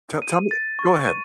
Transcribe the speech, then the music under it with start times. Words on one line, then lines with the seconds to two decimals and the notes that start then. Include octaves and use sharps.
Te tell me go ahead.
0.22 D#7
0.51 A6
0.79 C#6
1.07 D#7